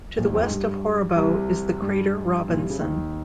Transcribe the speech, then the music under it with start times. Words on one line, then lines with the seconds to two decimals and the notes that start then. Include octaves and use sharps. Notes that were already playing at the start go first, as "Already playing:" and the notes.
To the west of Horrebow is the crater Robinson.
0.18 A#1 A#2
0.25 D#2 D#3
0.33 F2 F3
0.42 G#2 G#3
0.50 G2 G3
1.16 C2 C3
1.82 G2 G3
2.48 A#2
2.60 C3
2.70 C#3
2.80 D#2 D#3